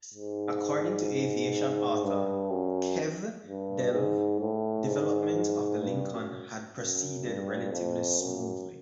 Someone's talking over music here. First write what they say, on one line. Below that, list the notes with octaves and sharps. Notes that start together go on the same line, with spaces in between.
According to aviation author Kev Delve, development of the Lincoln had proceeded relatively smoothly.
G#2
G2
F#2
G2
G#2
A2
G#2
G2
F#2
F#2
G2
F2
F#2